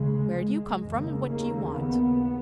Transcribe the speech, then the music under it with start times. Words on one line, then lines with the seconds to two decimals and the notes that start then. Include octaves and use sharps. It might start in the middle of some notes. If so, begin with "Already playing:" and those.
Where do you come from, and what do you want?'
Already playing: D#2 C#3 G#3
0.39 G#3
0.84 D#2 C#3
1.29 A#3
1.74 B3